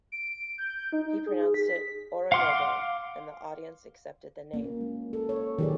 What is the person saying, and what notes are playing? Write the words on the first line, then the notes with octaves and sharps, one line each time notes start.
He pronounced it "Oronogo" and the audience accepted the name.
D7
G6
D#4
G#4
B6
F5 F#5 C6 D6 F6
A#3 C#4
G#3
A4
C#5
D#3 F#3 G4 G#4 B4 D5